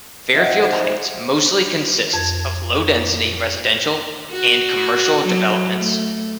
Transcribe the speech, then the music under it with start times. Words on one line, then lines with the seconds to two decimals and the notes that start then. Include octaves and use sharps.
Fairfield Heights mostly consists of low-density residential and commercial developments.
0.33 F2 D#4 C5 E5 F#5 G5
2.14 F2 G#6
4.31 F#4
5.26 F#3
5.79 A3